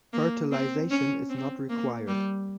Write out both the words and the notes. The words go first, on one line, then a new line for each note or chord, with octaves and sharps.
Fertilization is not required.
A#3
C4
C#4
C4
A#3
G3